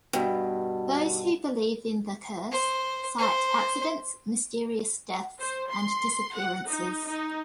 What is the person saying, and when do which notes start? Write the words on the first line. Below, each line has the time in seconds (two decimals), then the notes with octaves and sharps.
Those who believe in the curse cite accidents, mysterious deaths, and disappearances.
0.13 G2 B2
2.52 C5
3.19 C5
5.39 C5
5.71 C6
6.35 F#5
6.68 D#4
7.08 D#4